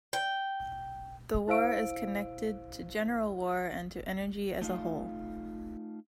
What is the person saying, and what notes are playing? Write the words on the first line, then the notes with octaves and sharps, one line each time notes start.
This war is connected to general war and to energy as a whole.
G5
E4 C5 F5 E6 D7
A3 D#4 F4 F5